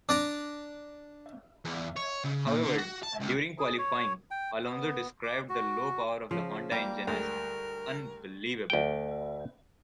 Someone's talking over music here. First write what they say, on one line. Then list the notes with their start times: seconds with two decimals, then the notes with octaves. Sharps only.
However, during qualifying Alonso described the low power of the Honda engine as "unbelievable".
0.09 D4 D5 A#5
1.65 E2
1.96 C#5
2.24 C#3
2.47 A#2
2.63 D3
2.78 F#4
3.03 A5
3.20 C#2
3.59 G#4
3.78 C#5
4.31 G5
4.64 B3
5.24 D6
5.49 F#4
6.31 C#3 F3
6.72 G3 A#3
7.07 D2 G#3 A#4
8.70 D2 G5